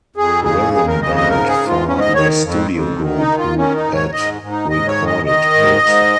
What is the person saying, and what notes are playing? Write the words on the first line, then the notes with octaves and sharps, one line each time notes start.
Rhythm Band for the studio group who had recorded it.
F2 G#4
C#3 G#4
F2 G#4
A#4
C#3 D#5
D#5
G#2 A#4
G#4
G#2
F4
G#2 C#4
D#5
D#3 C#5
F2
F2
D#3
D#4
D#3
F4
D#3 C#4
D#4
G#2
C#5
G#2 D#5
G#2
D#4
G#2 D#5
C#5
D#3
D#5
D#3 D#5
G#2
G#2